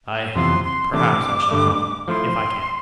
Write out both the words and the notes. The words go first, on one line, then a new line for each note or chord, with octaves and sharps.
I... perhaps I shall come... if I can.
F2 C3 E3 B3 F4 C6
C6
C3 E3 A3 D4 D6
G2 D3 A3
F3 A3 E4 C6